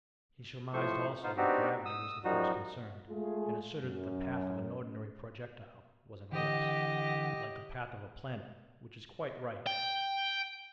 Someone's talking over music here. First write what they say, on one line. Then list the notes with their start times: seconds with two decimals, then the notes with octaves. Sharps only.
He surmised also that gravity was the force concerned, and asserted that the path of an ordinary projectile was an ellipse, like the path of a planet--which is quite right.
0.73 A2 F3 A3 C5 C#6
1.23 B3 D#4 F4 C5
1.37 B3 C4 D4 D#4 F#4 G4
1.85 D#6 E6
2.24 F#2 F3 G3 D#4 F#4
3.09 G#3 A3 F4 G#4
3.83 F#2
6.32 D3 E3 G4 D#5 F#5
9.67 G5